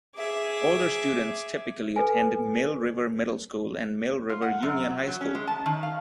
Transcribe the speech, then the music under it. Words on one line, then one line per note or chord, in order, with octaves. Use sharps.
Older students typically attend Mill River Middle School and Mill River Union High School.
G#4 E5 D6
A4 B4 G#5
F4
F#5
F#2
F#3
F#3
C#4
G#3
A5
D#3
F5